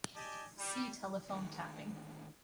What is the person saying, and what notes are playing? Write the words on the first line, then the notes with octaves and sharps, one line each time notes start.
See Telephone tapping.
G4 D5 D#5 G#5 A5
G3
A2 D3 D#3 G#3 A#3